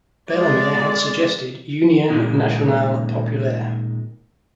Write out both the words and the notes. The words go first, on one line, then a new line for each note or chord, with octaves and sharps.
Bellemare had suggested "Union Nationale Populaire".
G#3 D5
A#2 D#3 G#3 A#3